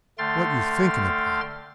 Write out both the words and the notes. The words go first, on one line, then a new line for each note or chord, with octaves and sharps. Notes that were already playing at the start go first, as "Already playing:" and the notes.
What you thinking about?
D3 A3 G5 C6 F6 A6